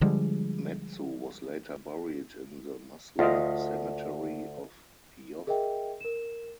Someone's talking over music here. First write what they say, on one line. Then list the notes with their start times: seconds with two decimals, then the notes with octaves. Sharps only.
Metsu was later buried in the Muslim cemetery of Yoff.
0.01 D3 F3 G3 G#3
3.19 D2 F4 D#5 F5
5.47 G#4 A#4 D#5 E5 G5
6.01 A#4 E7